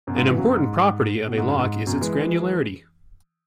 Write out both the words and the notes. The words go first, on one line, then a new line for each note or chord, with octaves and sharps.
An important property of a lock is its "granularity".
F#2 B2
G#2 C#3
B2 E3
C#3 F#3
F#2
G#2
B2
G#2
F#2
G#2
F#2 B2
E3 G#3